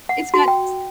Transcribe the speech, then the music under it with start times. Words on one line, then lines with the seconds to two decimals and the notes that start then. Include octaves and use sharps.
it's got s
0.09 F#5
0.34 F#4
0.48 G5